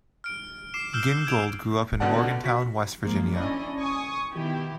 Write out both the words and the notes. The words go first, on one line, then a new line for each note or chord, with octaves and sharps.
Gingold grew up in Morgantown, West Virginia.
F6 D7
D6 C7 E7
E6 F6 G6 E7 G7
G#6 D7 F7
C#2 B2 D3 D5 F#5 A5
F#4 B6
F3 G#3 A#3
C#4 D4 E4 D5 D#5
G#5 C#6 D#6
B2 D#3 E4 G4